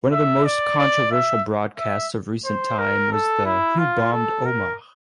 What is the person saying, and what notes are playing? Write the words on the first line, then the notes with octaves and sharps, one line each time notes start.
One of the most controversial broadcasts of recent time was the Who bombed Omagh?
E5
D5
D5
E5
E5
C5
A#4
A4
E4
F4
A4
A#4